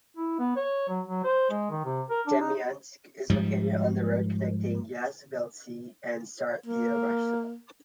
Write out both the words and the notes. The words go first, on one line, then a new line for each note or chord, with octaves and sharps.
Demyansk is located on the road connecting Yazhelbitsy and Staraya Russa.
E4
B3
C#5
F#3
F#3
C5
G#3
D#3
C3
A#4
D4
D#4
G#2 F3 G3
A#3